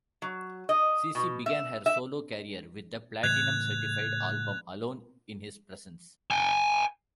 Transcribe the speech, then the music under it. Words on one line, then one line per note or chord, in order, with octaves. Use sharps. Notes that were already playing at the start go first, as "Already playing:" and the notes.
CeCe began her solo career with the Platinum certified album "Alone in His Presence".
F#3
D#5
B2
E5
E5
A2 C#3 E3 F#6 G#6 F7
G5 G#5